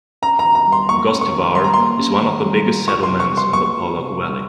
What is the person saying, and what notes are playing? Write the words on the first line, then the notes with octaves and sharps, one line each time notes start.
Gostivar is one of the biggest settlements in the Polog valley.
C#4 A#5
A#5
D#3
A#5
G3
C6
A#3 C#6
C#4
C#6
D#3
G3 C6
A#5
A#3 C6
C#4
D#3
G3
A#3
F4 C#6
C6
C3
C#6
G3
C6
A#3 C#6
F4
C3
G3